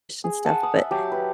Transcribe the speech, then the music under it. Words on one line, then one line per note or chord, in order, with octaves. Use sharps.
and stuff, but
G#4
F#5 A5
D#6
E5
F#3 G4 A5
B4